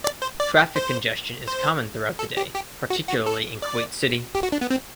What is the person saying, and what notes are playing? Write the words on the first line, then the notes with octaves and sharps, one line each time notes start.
Traffic congestion is common throughout the day, particularly in Kuwait City.
D5
C5
D5
C5
C5
A4
G4
G4
F#4
F#4
A4
D5
G4
F#4
D4
B3
C4